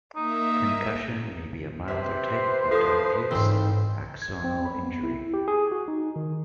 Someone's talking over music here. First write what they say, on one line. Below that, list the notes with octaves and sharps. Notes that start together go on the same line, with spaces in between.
Concussion may be a milder type of diffuse axonal injury.
A#3 D#4 E5
C3 B4 C5 E5
F3 A4 D#6
A1 G#2 C4
G#6
C4
B5
B3
E4
G4
G#4
F#4
D#4
D#3